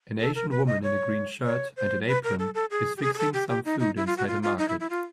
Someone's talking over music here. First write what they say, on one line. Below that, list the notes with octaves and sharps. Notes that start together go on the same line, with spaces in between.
An asian woman in a green shirt and an apron is fixing some food inside a market.
A4
A#4
B4
D#5
C#5
C#5
C5
B4
A#4
A4
A4
G#4
G4
G#4
G#4
A4
G4
G4
D#4
D#4
E4
F4
F#4
F4
F4
D#4
E4
E4
F4